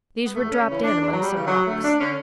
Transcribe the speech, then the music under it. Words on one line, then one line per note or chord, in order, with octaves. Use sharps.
These were dropped in among some rocks.
B3
E2 A3
C#4
C#3 E3 C#4
D4
E2 D4
F#3
G3
C#3 E3
F#3
D2 A3
D4
D3 C#4